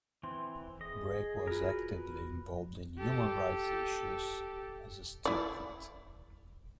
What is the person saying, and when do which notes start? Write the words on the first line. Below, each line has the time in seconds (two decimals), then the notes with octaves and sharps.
Brake was actively involved in human rights issues as a student.
0.23 E3 C4 C6
0.81 G#4 D#5
1.47 F4 F#4 A#4 B4
2.98 G4 A4
5.25 E4 D5